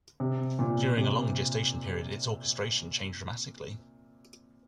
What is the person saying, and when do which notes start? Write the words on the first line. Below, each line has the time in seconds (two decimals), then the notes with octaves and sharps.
During a long gestation period its orchestration changed dramatically.
0.20 C3
0.59 A#2
0.97 C3